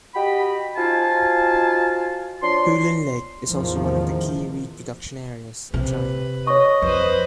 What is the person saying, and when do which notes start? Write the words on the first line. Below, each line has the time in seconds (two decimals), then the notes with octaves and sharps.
Hulun Lake is also one of the key reed production areas in China.
0.15 F#4 G4 D#5 G5 B5
0.77 D#4 F4 F#4 C5 G#5 A5
2.42 F3 D4 C#5 C6
3.44 A1 E2 D#3 F3
5.74 C3 B4
6.47 C#5 D#5 C#6
6.82 F2 B4 C5